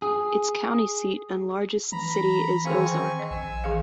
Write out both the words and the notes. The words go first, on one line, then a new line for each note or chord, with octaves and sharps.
Its county seat and largest city is Ozark.
G#4
E3 A#5 B5
D#3 C4 G#4 F5 G#5 C#6
D#5
A#1 G#5 E6
E3 G#4 F5